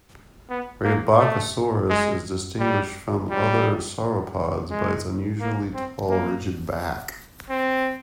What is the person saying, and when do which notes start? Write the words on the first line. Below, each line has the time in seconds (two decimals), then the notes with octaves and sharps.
"Rebbachisaurus" is distinguished from other sauropods by its unusually tall, ridged back.
0.49 B3
0.84 A#3
1.19 A3
1.89 G#3
2.60 G3
3.30 G3
4.70 G#3
5.40 A#3
5.74 C4
6.09 A#3
7.49 C4